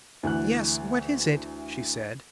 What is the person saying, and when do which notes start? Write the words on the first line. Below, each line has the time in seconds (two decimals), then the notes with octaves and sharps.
"Yes, what is it?" she said.
0.23 D2 E3 F#6